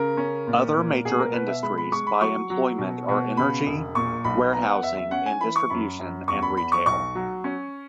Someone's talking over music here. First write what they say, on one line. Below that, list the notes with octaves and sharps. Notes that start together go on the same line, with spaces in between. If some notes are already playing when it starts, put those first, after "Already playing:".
Other major industries by employment are energy, warehousing and distribution, and retail.
Already playing: C#3 A#4
C#4
A#2
A#2
B2 G#4
A#4
B2 B4
E5
G#3 B5
B5
G#3 C#6
B5
F#3 C#6
F#3
B2
B2
C#3 B5
E1
A#2 C#6
B1 B5
B3 A#5
F#5
E2 E5
E5
C#4 F#5
G#5
E3 B5
C#6
F#2 B5
F#2
E2 C#6
B5
E2 B5
C#6
B1 C#6
F#3
C#4